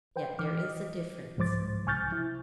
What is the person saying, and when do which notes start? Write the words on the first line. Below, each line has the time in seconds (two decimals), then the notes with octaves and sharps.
Yet there is a difference.
0.16 B4 C5 G5
0.39 E3 D6 F6
0.63 D#5
1.37 C2 G#2 F3 C5 D6 A6
1.86 C2 G#5 C#6 F6 G6 A6
2.12 E4